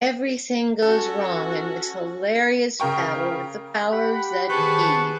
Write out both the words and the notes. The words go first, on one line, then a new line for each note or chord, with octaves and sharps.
Everything goes wrong in this hilarious battle with the powers that be!
C#4 F#4 A4
C#3 A#4 G5 C#6
G4 F#5 B5
D#3 G#4 B4 C5 A5 C#6